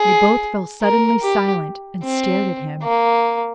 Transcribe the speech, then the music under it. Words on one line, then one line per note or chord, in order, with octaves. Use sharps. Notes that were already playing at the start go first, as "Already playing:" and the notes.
They both fell suddenly silent and stared at him.
Already playing: G#4
A#4
G4
C4
A#3